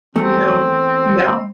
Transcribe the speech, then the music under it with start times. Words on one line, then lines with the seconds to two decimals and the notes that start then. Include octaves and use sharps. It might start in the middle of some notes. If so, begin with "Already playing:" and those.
No, no.
0.16 E2 A3 C4